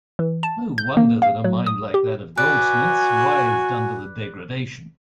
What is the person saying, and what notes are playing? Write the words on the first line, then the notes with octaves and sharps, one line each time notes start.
No wonder that a mind like that of Goldsmith's writhed under the degradation!
E3
A5
G6
A#3
F5
F#3
D#6
G4
F#4 B4 D5 G#5